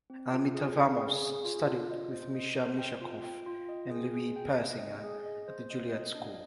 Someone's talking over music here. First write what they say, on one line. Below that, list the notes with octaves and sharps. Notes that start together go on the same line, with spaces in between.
Almita Vamos studied with Mischa Mischakoff and Louis Persinger at the Juilliard School.
C4
F4
G#4
G#4
G#4
G#4
F4
F4
D#5
C5
D#5
C5
G5
F4
G5
F4
D#5
G#4
G#4
G5
D#5
D#5
G#4
D#5
C5
D#5
D#5
D4